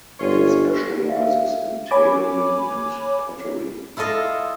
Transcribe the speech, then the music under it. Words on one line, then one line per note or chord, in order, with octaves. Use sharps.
It specialises in tailoring and pottery.
G1 C#4 F4 C#5
E5 F5
C#5 G#5 B5 D6
E4 F4 A4 D#5 F5